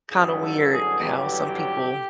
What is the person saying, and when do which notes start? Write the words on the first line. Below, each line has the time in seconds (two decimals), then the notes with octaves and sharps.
kinda weird how some people
0.11 A1 G2 D3 F#3 G#4
0.42 A4
0.72 G#4
1.02 G4